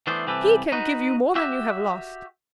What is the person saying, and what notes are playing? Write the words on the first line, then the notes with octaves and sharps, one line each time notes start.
"He can give you more than you have lost."
E3 A3 B3 D4 C5
C2 E3 C4 G4 A4 B4
D#4 F#4 B4
F#4 G4 E5